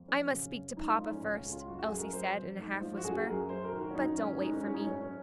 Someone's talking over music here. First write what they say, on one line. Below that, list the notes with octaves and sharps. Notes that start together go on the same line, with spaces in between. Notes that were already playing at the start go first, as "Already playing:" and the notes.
"I must speak to papa first," Elsie said in a half whisper, "but don't wait for me."
Already playing: F2
F#3 C#4
C#3
F#2
G#2 D#4
F4
F3 D#4
C#4
C#2 C#4
C#2
F4
F#2 F#4
F#4
G#4
F#2
A#4
F#3 C5
F2
G#2
F3
F#4
F#2 G#4
F#4
G#4
F#2 A#4
F#3 C5
A#4
D#3
F#4
C#4
F#2 D#4
D#3 C#4
G#2 D#4
C#4
F#3 C#4
D#4
F#2 C#4
C#4